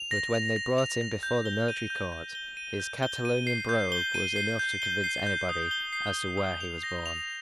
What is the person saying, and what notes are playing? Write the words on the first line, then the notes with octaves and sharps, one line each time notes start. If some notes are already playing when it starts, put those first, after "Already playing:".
But when they brought him before the military court, his Catalonian brogue was enough to convince anybody as to where he was born.
Already playing: F7
A#6
F7
A#6
F7
A#6
G6
G7
D#7
G6
G6
G7
D#7
G6
G7
D#7
C7
G6
G7
D#7
C7
G6
G7
C7
G6
D#6
G7
C7
G6
D#6
F7
A#6
F7